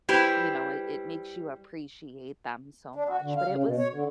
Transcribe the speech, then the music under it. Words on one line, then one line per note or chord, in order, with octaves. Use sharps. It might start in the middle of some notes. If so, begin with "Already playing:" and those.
You know, it it makes you appreciate them so much, but it was
G3 E4 G4 B4 C5
D4
F#4
D3
F5
C#3
B2
C#5
D3